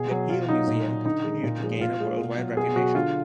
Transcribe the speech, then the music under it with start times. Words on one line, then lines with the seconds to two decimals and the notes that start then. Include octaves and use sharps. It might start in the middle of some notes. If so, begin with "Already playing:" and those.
The Peale museum continued to gain a worldwide reputation.
Already playing: B2 G#4
0.11 F#3
0.30 B2 F4
0.49 F#3 D#4
0.68 A#2
0.87 F#3
1.05 D3 D#4
1.24 G#3
1.43 A#2
1.62 F3 G#3
1.81 A#2 F4
2.00 G#3
2.19 B2
2.38 F#3
2.57 B2 G#4
2.76 F#3 F#4
2.95 D3 F4